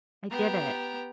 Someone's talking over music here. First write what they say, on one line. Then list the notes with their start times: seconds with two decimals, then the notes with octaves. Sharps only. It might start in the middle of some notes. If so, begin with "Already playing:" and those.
I did it.
0.31 B3 G4 A#5